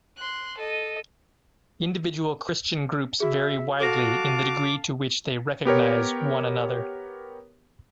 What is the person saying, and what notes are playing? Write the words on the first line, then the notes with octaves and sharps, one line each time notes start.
Individual Christian groups vary widely in the degree to which they recognize one another.
C6 F#6
A4 D#5
F#4 G#4 E5
F#4 A4 F5 A5 D6 A#6
B3 G4 A#4 C#5